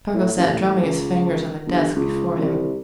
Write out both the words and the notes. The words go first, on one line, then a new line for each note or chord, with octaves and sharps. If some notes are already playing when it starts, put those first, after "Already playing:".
Spargo sat drumming his fingers on the desk before him.
A2
A1
C#2
G1
C#2
C2